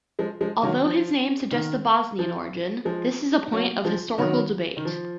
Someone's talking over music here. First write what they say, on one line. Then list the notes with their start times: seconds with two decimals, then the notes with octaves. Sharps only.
Although his name suggests a Bosnian origin, this is a point of historical debate.
0.19 F3 G#3
0.41 F3 G#3
0.63 D#3 F#3
0.86 F3
1.51 D#3
2.19 F3
2.85 F3 G#3
3.52 F#3 A#3
3.85 F3 G#3
4.18 D#3 F#3
4.77 D#3
4.85 F3